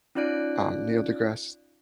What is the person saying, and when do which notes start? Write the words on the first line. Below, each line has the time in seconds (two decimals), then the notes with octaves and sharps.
um, Neil deGrasse
0.15 C#4 D#4 F4 D5 F#6 D7